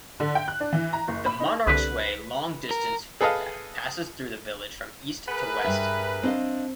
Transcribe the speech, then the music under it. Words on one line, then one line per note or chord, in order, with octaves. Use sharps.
The Monarch's Way long distance footpath passes through the village from east to west.
D3
G5
F#6
D4
E3
A#5
F#1
B5
D#4
C2 D3 B4
A#4
G#4 A4 B4 D#5 F5
G#4 A#4 B4
G2 E5
C4 D4 D#5 F5